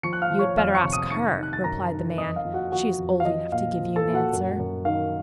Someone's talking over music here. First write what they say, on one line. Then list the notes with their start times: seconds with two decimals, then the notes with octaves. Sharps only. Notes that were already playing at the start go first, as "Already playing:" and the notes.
'You had better ask her,' replied the man, 'she is old enough to give you an answer.'
0.03 F3 C#6 C#7
0.13 F#6
0.22 F5 F6
0.30 F3
0.39 C#5 C#6
0.57 F2 F5 F6
0.75 C#6 C#7
0.84 C3
0.93 D#6 D#7
1.10 D#3 C#6 C#7
1.37 D#3
1.43 F#6
1.53 A6
1.64 F#2 A#5 A#6
1.92 D#3
2.17 F2 D#5 D#6
2.36 F5
2.45 F3
2.54 F#4 F#5
2.72 F3 F#4 F#5
2.98 F2
3.20 F5
3.25 F3 D#5
3.52 A#2 F5
3.79 F3
3.96 A4 A5
4.06 A#2
4.14 F#4 F#5
4.33 F#2
4.59 F#2
4.85 D#3 F5